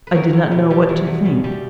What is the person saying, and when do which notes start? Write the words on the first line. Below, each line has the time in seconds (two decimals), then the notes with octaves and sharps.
I did not know what to think.
0.07 B4
0.12 E2 F#4 A#4
0.33 E2
0.51 B2
0.70 G3
0.89 E2
1.07 E2
1.25 B2
1.44 G3